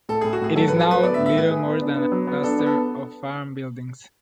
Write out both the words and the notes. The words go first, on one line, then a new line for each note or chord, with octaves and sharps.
It is now little more than a cluster of farm buildings.
A2 A4
A2 G#4
F#4
A2 G#4
F#3 A4
A2 B4
A4
F#3 B4
B3 D5
E5
A2
E5
A2 B4
G#4
B3
D4
B3
F#3
B3
D4 A4
B3
A4